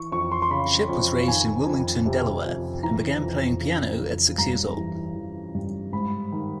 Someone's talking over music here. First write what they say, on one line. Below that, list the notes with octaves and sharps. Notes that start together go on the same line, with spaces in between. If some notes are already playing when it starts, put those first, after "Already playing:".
Shipp was raised in Wilmington, Delaware, and began playing piano at six years old.
Already playing: E3 C#6
F2 C#6
C6
C6
C#3 B5
F2
D#3 G#5
F2
C3
F2
E3 A#5
F2
C#3
F2
G2 A#5
E3
E3
G2
G#2 B5
D#3